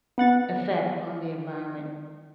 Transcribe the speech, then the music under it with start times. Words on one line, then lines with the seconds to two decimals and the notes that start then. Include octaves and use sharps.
effect on the environment,
0.18 B3 F#5 A6